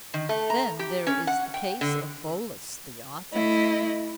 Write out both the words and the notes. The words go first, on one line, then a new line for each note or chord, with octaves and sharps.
Then there is the case of Bolus the author.
D#3
A3
A#5
G4
C#4
F#5
G5
D3
A3 E4 D#5